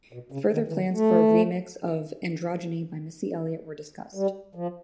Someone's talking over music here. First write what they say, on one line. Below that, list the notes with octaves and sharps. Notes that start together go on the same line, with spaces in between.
Further plans for a remix of "Androgyny" by Missy Elliott were discussed.
B2
C#3
D#3
E3
D#3
A3
G3
F3